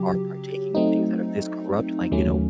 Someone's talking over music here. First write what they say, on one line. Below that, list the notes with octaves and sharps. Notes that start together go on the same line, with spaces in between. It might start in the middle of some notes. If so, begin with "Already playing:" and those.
are partaking in things that are this corrupt, like, you know,
Already playing: C#3 F#3 G4
F#3 A3 C4 D#4
D#2 D#3 F#3 A3 C#4